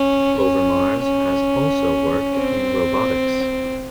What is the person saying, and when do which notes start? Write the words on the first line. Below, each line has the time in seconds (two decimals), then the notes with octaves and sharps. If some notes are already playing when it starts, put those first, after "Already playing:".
Overmars has also worked in robotics.
Already playing: C#4
0.38 C#4
1.03 C#4
2.35 C4